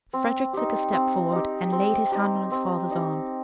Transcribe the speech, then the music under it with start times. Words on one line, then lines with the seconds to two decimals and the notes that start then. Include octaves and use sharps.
Frederick took a step forward and laid his hand on his father's arm.
0.13 C4
0.53 D#4 G4
0.93 C4
1.32 D#4 G4
1.72 C4
2.12 D#4 G4
2.52 C4
2.91 D#4 G4